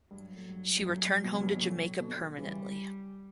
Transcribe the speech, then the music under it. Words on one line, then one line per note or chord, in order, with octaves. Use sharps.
She returned home to Jamaica permanently.
G2 F#3
A2
G2
G2
F#2 A2
B2
C#3
G2 B2
B2
A2 C#3
B2 D3
C#3 E3 G3